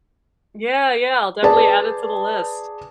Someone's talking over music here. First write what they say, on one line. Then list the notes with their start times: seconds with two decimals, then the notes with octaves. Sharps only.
Yeah, yeah, I'll definitely add it to the list.
1.43 G#4 B4 D5 A5